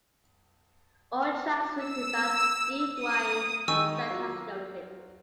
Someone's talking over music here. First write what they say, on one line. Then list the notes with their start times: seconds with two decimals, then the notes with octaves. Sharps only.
All tracks written by Steve Wynn except as noted.
1.76 E6
3.01 D#6
3.68 D#3 G#3 G#5 C#6 E6
4.11 F#3 F4